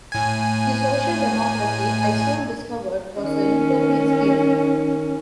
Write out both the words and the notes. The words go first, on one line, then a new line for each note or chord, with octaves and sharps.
The Social Democracy, I soon discovered, was a utopian scheme.
A2 G#5
D#3 C#4